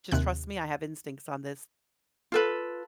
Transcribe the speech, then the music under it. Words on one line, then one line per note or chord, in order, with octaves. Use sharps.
"Just trust me. I have instincts on this
D#2 C3 F#6
F4 A4 B4